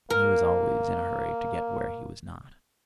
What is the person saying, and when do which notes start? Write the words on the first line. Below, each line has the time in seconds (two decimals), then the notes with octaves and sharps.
And he was always in a hurry to get where he was not.
0.10 A#3 A#4